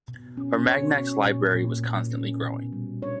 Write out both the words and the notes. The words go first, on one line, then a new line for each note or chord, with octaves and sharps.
Armagnac's library was constantly growing.
B2
C#4
B2 C#5
C#4
A#2
A#2
A#2
C#4
B2
G3
D4 C#5